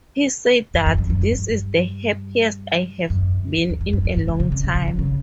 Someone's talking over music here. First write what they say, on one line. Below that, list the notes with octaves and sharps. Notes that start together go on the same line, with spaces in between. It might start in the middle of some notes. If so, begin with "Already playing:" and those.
He said that, This is the happiest I have been in a long time.
F2
F2
F#2
F#2
G2
F#2
F2
E2
F2
G2
G2
G#2
C#3
C#3
C3
C#3
C#3
D3
C#3